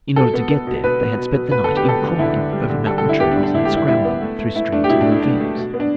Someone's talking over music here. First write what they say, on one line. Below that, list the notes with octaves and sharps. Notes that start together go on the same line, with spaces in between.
In order to get there they had spent the night in crawling over mountain trails and scrambling through streams and ravines.
B2 A4
B3
B3
B2
B2 B4
B3
B2
B2
B3 B4
D3 A4
G4
B3 A4
D3
D3 E4
D3
G3
D3
G3 A4
A4
D3
E4
B3 G4
D4
G3
D4
D3 E4
G4
G3
E4
G3 E4
B3
A3
A3
A3 E4
A3 D4
G4
B2 E4
D4
A3
E4
A3 D4
A3
B2
B3
D4